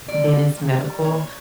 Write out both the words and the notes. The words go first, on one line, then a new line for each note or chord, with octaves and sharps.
Dennis Medical,
A#2 D5
G3
A#2
G3
A#2 C#5